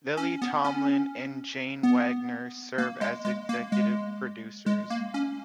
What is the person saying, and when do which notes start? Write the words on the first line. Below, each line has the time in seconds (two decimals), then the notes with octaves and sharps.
Lily Tomlin and Jane Wagner serve as executive producers.
0.17 C#4
0.42 B3
0.64 C#4
1.83 B3
2.78 A#3
3.01 G#3
3.25 G#3
3.49 A#3
3.72 G#3
4.66 G#3
4.90 A#3
5.14 C#4